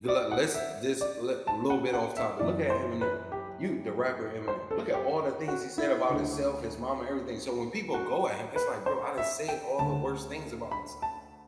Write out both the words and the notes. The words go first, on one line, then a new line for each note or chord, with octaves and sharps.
The le let's just let little bit off topic, look at Eminem, you the rapper Eminem, look at all the things he said about himself, his mama, everything. So when people go at him, it's like, "Bro, I done said all the worst things about myself.
D5
F#5
E5
D5
A5
F#5
F#5
E5
F#2 E3 D5
C5
B4
G4
C5
A4
G4
F#4
E4
D2 D3
F#4
B4
C5
E5
G5
D2 D3 A5
B5
A5